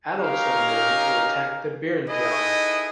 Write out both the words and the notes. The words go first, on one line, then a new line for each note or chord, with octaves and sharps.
Adults are known to attack brinjal.
C#4 D#4 G4 A#4 F5 A#5
D#4 E4 G#4 A4 B4 D#5